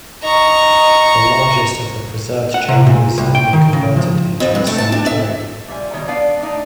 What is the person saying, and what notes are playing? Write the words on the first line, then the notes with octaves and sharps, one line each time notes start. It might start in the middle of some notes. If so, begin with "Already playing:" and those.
The largest of the preserved chambers has been converted into a sanatorium.
D#4 A#5 C#6
F#5
C3
A#2
C2
G5
D#3
C#3
F3
F2
G2
A3
A5
D4
E5
A#2 G3 E5 G#5
B2 D#3 G3 C#5
B3 D4 B4 D5 F5
A3 D4 D#4